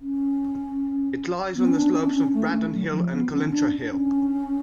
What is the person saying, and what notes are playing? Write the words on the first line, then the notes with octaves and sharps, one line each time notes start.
It lies on the slopes of Brandon Hill and Cullintra Hill.
C#4
B3
C#4
D4
C#4
C#4
A3
F#3
F3
B3
C#4
D4
C#4